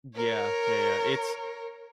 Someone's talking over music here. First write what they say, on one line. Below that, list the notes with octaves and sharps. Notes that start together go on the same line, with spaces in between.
Yeah. Yeah, yeah. It's
A#4 C#5